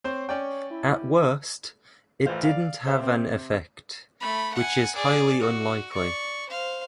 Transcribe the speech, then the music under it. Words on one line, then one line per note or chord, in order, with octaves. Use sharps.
At worst, it didn't have an effect, which is highly unlikely.
C4 C5 C#5
C#4 D5 G5
E4
A1 E3 F4 C5 F5
D5 F5
A4 C5 E5 F5
C3 C4
A3 B5
F#5 G#5
G#4 D5
F#4
D5 C#6
C5 F5